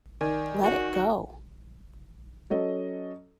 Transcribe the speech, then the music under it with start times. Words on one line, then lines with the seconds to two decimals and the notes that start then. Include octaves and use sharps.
Let it go.
0.21 D#3 A#4 D5 G#5
0.63 F#4
2.50 F#3 C#4 A4 D#5